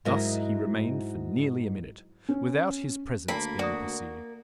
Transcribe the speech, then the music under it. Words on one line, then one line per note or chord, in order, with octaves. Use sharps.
Thus he remained for nearly a minute, without his presence being perceived.
G#2 F#3 E4 A#4 D#5
C#4
D2 A#3 A#4 A5 B5
F#4 D5 D#6